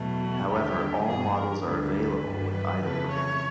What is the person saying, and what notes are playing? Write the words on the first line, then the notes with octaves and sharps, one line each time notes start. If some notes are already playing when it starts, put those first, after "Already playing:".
However, all models are available with either version.
Already playing: E2 B2 F#3 A3
F#4
D#2 D3 G3 G4
G2 E3 G3 G#4
A#4
D2 D3 G3 B4
G2 D#3 G3
B4
F2 C#3 E3 A3 B4
C#5